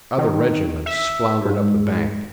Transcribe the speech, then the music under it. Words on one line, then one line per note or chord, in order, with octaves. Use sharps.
Other regiments floundered up the bank.
D#3
E5
G#2